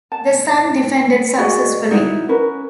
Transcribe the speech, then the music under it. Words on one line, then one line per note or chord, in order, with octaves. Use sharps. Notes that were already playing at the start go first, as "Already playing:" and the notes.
The son defended successfully.
A5
F#4 G#4 D5 D#5
D#4 E4 F#4 E5
C#4 A#4 B4